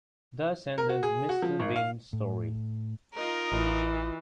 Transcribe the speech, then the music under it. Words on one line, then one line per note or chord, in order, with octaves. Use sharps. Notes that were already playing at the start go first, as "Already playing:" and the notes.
Thus ended Mrs. Dean’s story.
A#4
F#4
G#4
F#4
F3
G#1
F5
A2
D#4 F4 A#4 D#5
A1 E3